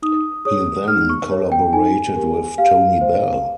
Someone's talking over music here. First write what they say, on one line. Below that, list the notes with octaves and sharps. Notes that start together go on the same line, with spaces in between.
He then collaborated with Tony Bell.
D#4 D#6
G#4 C#5 D#6
D#4 F6
C#6
A#4 C#5
G5
D#4 G#5
G4 A#4
G4 F5
C5